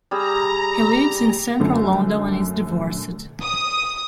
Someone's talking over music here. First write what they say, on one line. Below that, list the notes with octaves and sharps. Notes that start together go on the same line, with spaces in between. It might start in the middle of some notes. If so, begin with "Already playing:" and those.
He lives in central London and is divorced.
G3 G#4 A#5 E6
F#2 D3 A3
D#6